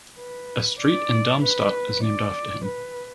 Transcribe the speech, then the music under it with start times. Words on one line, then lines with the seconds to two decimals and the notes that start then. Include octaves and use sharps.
A street in Darmstadt is named after him.
0.18 B4
0.80 D5
1.42 B4
2.04 D5
2.65 B4